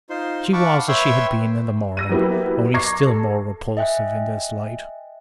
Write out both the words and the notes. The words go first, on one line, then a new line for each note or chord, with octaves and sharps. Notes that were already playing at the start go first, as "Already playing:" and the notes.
She was as she had been in the morning, only still more repulsive in this light.
D#4 F4 C5 C6
F5 F#5 A5 B5 C#6 D6
B4 C#5 E5 G5 C6 E6
E6 A#6 D#7
F#3 A#3 B3 E4 G4
A#5 C#6 D6 G#6 A#6 C7
A4
D#5 E5 G5 G#5 F#6